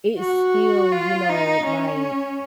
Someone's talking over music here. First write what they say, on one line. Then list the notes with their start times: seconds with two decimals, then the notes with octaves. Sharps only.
it still, you know, like,
0.19 F#4
0.92 F4
1.30 D#4
1.66 C#4